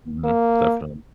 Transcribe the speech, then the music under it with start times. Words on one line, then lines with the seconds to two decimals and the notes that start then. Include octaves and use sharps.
Mhm. Definitely.
0.24 A#3